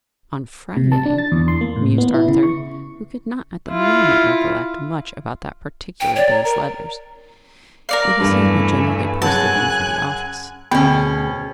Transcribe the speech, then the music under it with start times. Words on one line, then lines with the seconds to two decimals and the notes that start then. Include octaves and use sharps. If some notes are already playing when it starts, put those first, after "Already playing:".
"On Friday?" mused Arthur, who could not at the moment recollect much about that particular day's letters; it was he who generally posted them for the office.
0.77 C3
0.92 A5
1.06 D4
1.18 A6
1.32 E2
1.48 C6
1.61 A#3
1.76 A2
1.98 B3
2.14 E4
2.28 C#3
2.43 C#6
3.71 E4 F4
6.01 G5
6.16 C#5 D5
6.30 A#5
6.45 A#4
7.89 A#4 D5 F5
8.20 E2 G2 A3 G#5
9.22 F#2 C#3 G#5 A5 F#6 G#6
10.71 D2 B2 B3 C#4 G#4 G5